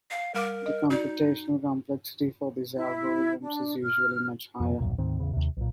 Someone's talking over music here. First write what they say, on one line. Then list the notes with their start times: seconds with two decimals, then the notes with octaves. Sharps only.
The computational complexity for these algorithms is usually much higher.
0.11 F5
0.34 G3 A#4 F5 D6
0.66 D#5
0.90 D#4 F#4 D5
2.76 E4
3.42 D4
3.82 F6
4.60 F2 C3
4.81 D#1 B1 F#2 A#2
4.98 D2 G#2 D#3 C4
5.20 A1 E2 C#3
5.33 D#2 C3
5.57 B1 A#2